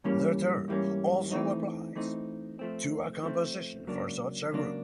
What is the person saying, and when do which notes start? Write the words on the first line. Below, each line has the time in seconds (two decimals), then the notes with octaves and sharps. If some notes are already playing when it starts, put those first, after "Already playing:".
The term also applies to a composition for such a group.
0.04 G#2 E3 G3 A#3 C#4
0.68 G#2 E3 G3 A#3 C#4
1.31 E3 A3 C4 D#4
1.96 E3 A3 C4 D#4
2.59 F3 A3 C4
3.23 F3 A3 C4
3.87 C#2 C#3 F#3 A#3 D4
4.51 C#2 C#3 F#3 A#3 D4